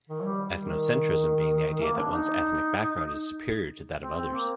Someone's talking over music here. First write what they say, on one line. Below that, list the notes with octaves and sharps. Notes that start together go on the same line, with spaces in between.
Ethnocentrism being the idea that one's ethnic background is superior to that of others.
D#3
F#3
G3
D#3
D#3
A#3
D4
D#4
C4
C4
A#3